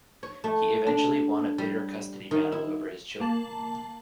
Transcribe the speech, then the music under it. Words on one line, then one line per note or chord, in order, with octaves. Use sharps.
He eventually won a bitter custody battle over his children.
C#5
A3
D4
G3
D#3
E4
A#3 A5 F#7